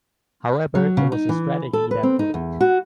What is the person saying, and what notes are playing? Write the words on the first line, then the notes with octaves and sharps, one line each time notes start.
However, it was a strategy that worked.
F#3
C#3
D#4
E3
A4
B4
C4
D#4
E2
F#4